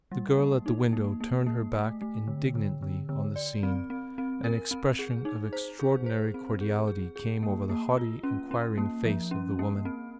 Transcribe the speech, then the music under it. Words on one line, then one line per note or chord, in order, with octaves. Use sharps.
The girl at the window turned her back indignantly on the scene; an expression of extraordinary cordiality came over the haughtily inquiring face of the woman.
G3
A#3
D#4
A#3
A#3
A#3
A3
A3
D3
D3
D3
D3
D5
C4
C4
C4
A#4
C4
G#4
D#4
C5
G#4
C5
C4
G#4
G#4
G#4
A#3
A#3
F4
C#4
C#4
A#3
F3
C#4
A#3
C4